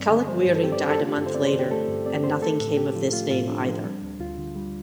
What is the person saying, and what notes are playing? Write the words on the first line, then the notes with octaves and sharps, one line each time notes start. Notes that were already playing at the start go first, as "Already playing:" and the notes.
Caliguiri died a month later, and nothing came of this name, either.
Already playing: G2 G3 C4 D5
D3
G3 C5
G2
A4
C4 G4
D5
D3 C5
A4
A3 F4
G4
G2 A4
C5
C4 D5
C5
D3
G4
A3 A4
G2
C4 D5
D3 C5
A3 A4
A2
C4 G4
F3 F4
A3 F4
A2 F4
C4 D4
F3
G3
D2
D2 F4
D3
G3